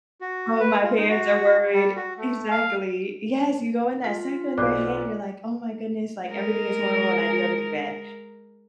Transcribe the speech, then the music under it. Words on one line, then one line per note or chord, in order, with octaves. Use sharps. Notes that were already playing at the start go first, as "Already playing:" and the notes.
"Oh, my parents are worried" Exactly, yes, you go in that cycle in your head, you're like, "Oh my goodness, like, everything is horrible, and I do everything bad,"
F#4
B4
F4
D#4
F#4
G3
F#4
A3
F5
F4 B6
B1 C5 D5 F5 D6 F#6
G#3 A#4